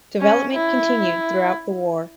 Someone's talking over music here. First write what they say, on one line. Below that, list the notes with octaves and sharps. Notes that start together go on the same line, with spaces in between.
Development continued throughout the war.
C#4
E4